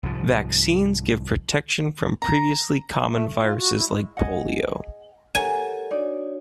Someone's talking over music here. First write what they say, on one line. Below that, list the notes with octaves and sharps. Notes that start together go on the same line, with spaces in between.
Vaccines give protection from previously common viruses like Polio.
C2 G#2 F3
A#5
A3
F2
F4
F#4
E4
G#3
G#4 D#5 F#5
G4 A4 A#4 C#5 F#5 G#5 A#5
D4 D#4 F#4 C#5 D5